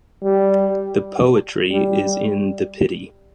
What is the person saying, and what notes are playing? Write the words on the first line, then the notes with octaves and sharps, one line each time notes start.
The Poetry is in the pity.
G3
G3